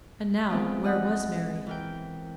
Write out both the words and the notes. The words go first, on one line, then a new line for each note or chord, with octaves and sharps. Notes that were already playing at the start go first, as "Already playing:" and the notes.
And now, where was Mary?
G#3 B3 C4 F4
D#5 F#5
E3 A#4 G5